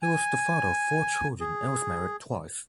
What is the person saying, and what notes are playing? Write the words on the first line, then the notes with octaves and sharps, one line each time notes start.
He was the father of four children and was married twice.
G#5
G#4